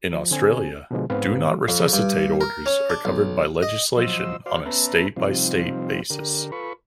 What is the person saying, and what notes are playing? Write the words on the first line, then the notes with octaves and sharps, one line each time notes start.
In Australia, Do Not Resuscitate orders are covered by legislation on a state-by-state basis.
F3
D3 C4 G#5
B2 D3 F3 G#3
G#2 B3 C4 B4 F5
F2
G2
A#4
C#4
D4
B1
D#5
F3 F#3 C5 D#5 E6
F#4 C5 D5 F5
B3 C#4 B4 E5 A5 A#5
C3 F3 G3 C4 D#4 F4
D3 G4 A#4
F4 A4 B4 B5 C#6